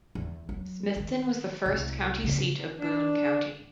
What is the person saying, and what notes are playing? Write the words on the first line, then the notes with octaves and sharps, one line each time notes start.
Smithton was the first county seat of Boone County.
E2
F#3
D#3
C2
C#3
D4